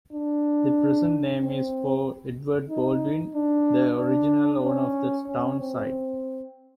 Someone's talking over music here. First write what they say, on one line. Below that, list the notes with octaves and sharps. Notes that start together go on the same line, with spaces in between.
The present name is for Edward Baldwin, the original owner of the town site.
D4
C4
D#4
D4
D4
C#4
C#4
C4